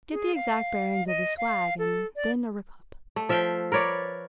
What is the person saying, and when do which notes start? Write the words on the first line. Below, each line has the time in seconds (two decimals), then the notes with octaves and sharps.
No! Get the exact bearings of his swag and then a rip up.
0.12 G#4
0.35 F5
1.07 D#5
1.37 F5
1.79 A4
2.16 D5
3.16 A3
3.29 F3 E5 F5 G5
3.72 A#4 B4 C#5 D5